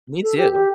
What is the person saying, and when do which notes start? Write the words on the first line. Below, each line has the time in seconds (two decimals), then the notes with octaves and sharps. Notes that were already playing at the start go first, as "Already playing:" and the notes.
Me too.
0.23 A4
0.37 G4
0.52 G4